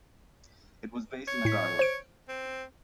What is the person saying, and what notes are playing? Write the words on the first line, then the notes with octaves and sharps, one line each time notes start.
It was based in Agaro.
C#5
A2 B6
C5 D7
C4